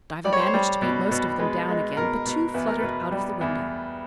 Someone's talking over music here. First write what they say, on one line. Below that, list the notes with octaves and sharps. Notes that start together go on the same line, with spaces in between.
Diva managed to beat most of them down again, but two fluttered out of the window.
G3 D5
C#5
C5
C#5
G3
B2
B2
G#3 B4
G#3
B2 A#4
B2
E2 B4
A#4
B2 B4
G3
E2